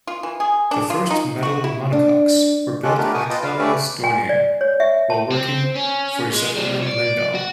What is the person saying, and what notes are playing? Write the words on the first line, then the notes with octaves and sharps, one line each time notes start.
The first metal monocoques were built by Claudius Dornier, while working for Zeppelin-Lindau.
F4
E3
G#4
D4
F4
D#4
F#4
E4
D4
G#3 C#4 F4 G4 A4 F#6
A3 B3 D4 G4 A#4 B4
G#5 C#6 D#6
F4 B4 D#5 G5 A5
B4 F5
A3 C#4 G4 B4 D5 E5
G#5
D5
C#5
E5
A5
C4
C#4
G#3
F3 G3
C#5 D5
F#4